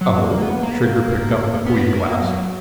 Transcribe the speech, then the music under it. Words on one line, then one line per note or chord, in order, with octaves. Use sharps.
"Oh?" Trigger picked up the Puya glass.
F#3
A#3
B3
A#3
B3
A#3
B3
A#3
F#3